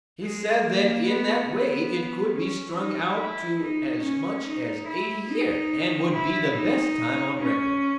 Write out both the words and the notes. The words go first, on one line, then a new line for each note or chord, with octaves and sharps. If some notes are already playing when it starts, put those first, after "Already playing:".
He said that in that way it could be strung out to as much as eighty year, and would be the best time on record.
G#3
A#3
B3
B3
C#4
D#4
E4
D#4
C#4
D#4
E4
D#4
E4
D#4
C#4